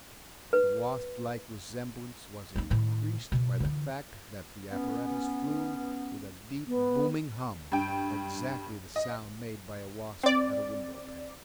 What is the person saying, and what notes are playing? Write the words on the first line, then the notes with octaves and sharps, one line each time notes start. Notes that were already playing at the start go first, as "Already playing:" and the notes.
The wasp-like resemblance was increased by the fact that the apparatus flew with a deep booming hum, exactly the sound made by a wasp at a windowpane.
B4
A#3 D#4
A2 D#3
B2
D3 E3
B3 C#4
B3
G2 G5
D#5
C4 D5